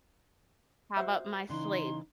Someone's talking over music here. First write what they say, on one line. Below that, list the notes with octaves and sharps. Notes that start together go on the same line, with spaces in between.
have up my sleeve,
F#4 C5 E5
C#3 E3 D4 D#4 C6